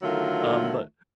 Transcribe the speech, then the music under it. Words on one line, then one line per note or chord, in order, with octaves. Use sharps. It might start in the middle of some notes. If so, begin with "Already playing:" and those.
um, but
D3 D#3 F#3 A3 F4 A#4